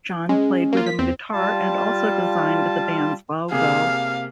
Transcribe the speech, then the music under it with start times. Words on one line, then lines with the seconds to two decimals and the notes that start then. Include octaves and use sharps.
Jon played rhythm guitar and also designed the band's logo.
0.29 G#3 C#4
0.72 A#3 F4
0.86 B6
0.99 E2 C4
1.33 G3 F4 A5
3.51 C3 A#3 G#4 F5